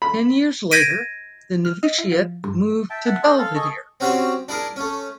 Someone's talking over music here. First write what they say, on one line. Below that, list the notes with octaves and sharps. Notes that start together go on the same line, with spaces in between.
Ten years later, the novitiate moved to Belvidere.
B5
G6 G#6 A#6 B6 D7 D#7
F6
D#5
E4
F3
G2
E5 G5 A5
E5 F#5 A5
C#4 A4 C5 D#5
A4 F5
G#4 A4 D#5 C#6
C4 C#4 F#4 G4 C5 C#5
D4 E4 G#4 A#4
A3 C#4